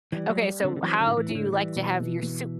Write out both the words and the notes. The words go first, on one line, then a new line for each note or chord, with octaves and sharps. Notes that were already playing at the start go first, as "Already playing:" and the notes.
Okay, so how do you like to have your soup,
E3 G3
F#3
G3
D3 C4
D3
E3 F#3
D3
A2
E3
A2
D3
E3 G3
B2
B2
B2